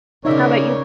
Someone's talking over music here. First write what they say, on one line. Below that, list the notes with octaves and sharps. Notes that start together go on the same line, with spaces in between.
How about you?
C#3 D#4 A#4 C#5 D5 E5